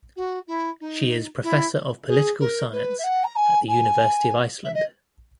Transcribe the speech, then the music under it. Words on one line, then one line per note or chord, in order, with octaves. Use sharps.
She is Professor of Political Science at the University of Iceland.
F#4
E4
D#4
E4
G#4
A#4
B4
E5
F#5
A#5
G#5
G#5
E5
D#5